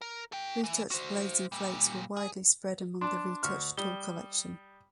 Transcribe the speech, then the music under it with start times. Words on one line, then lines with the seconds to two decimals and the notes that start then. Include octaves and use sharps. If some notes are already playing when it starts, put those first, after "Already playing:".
Retouched blades and flakes were widely spread among the retouched tool collection.
0.01 A#4
0.32 A4 G5
0.64 E3
0.91 F#4 C5
1.52 A#2 G3
2.17 G#4
3.01 D4 A5 C6
3.43 D2 C#6 F6
3.78 G3 D#6 G7